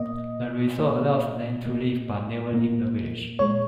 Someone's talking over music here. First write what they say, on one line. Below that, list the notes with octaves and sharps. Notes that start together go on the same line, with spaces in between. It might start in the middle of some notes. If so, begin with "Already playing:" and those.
The result allows them to live but never leave the village.
Already playing: A#2 A#3 D#5
A#2 A#3
A#2 A#3
A#2 A#3
A#2 G#3 C#5